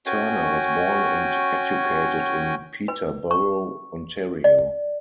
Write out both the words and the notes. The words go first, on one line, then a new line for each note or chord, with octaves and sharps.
Turner was born and educated in Peterborough, Ontario.
C#4 F#4 G5 G#5
B4
C#6
D5